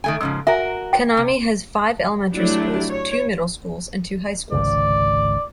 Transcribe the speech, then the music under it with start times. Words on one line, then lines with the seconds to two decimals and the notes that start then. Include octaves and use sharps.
Kannami has five elementary schools, two middle schools and two high schools.
0.04 D#3 A3 G#5
0.21 G#2 C#3 F3 E6
0.47 F#4 A#4 E5 G#5
0.93 G5
1.17 C3
2.33 F#3 A3 D4 E4 G4
2.90 C#5
4.52 G#1 C#2 C3 D5